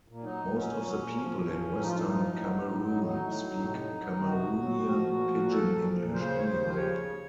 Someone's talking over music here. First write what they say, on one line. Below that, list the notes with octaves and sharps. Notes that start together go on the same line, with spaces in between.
Most of the people in Western Cameroon speak Cameroonian Pidgin English anyway.
A#2
F#3 D#4
A#2
F#3 C#4
A#2
F#3
A#2
F3
A2
F3
A2
F3 D#4
F4
A2 D#4
F3
A2
F#3
A2
F#3
A2
F#3 D#4
A2
F#3
A2
C3
F2
F#3
D#3
C3 F#4
F2
F#3
D#3
F3
A#2
F3
A#2
F3 A4
A#2
F3
A#2
C#3 C5
D#2
C#5
D#2 C5
F3
C#3 C#5
D#2